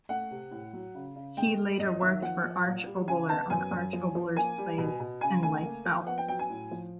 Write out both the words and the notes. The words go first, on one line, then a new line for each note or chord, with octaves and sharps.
He later worked for Arch Oboler on "Arch Oboler's Plays" and "Lights Out".
A3 F#5
C3
A2
F#3
C#3
C#3
G#3 G5
G#3
F#2 D#5
D#3 E5
F3 F#5
F3
A#2
G3
C#3 G#5
B3 A5
F#2 G#5
F#2
F3
F3
A#3 G#5
G3
B2
B2
C#3 G#5
A3 G#5
A#3
F3
B3 F#5
G5
F#3 G5
G#5
A2
F3